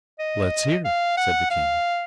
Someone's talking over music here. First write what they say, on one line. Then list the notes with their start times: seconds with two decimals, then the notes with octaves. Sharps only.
"Let's hear," said the king.
0.19 D#5
0.85 F5
1.17 F#5
1.50 F5